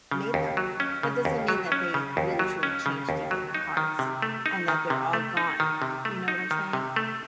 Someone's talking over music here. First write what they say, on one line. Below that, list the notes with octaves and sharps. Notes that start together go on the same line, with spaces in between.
made them. That doesn't mean that they really truly changed deep in their hearts, and that they're all gone, you know what I'm saying?
C#3
D#2
F#3
C#4
C#3
D#2
F#3
C#4
C#3
D#2
F#3
C#4
C#3
D#2
F#3
D#4
D#3
C3
A3
D#4
D#3
C3
A3
D#4
D#3
C3
A3
D#4
D#3
C3
A3